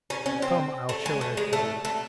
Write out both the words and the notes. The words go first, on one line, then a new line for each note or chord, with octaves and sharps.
Come, I'll show her to you.
C#4
C#4
C4
A3
G#3
A3
G#3
A3
A3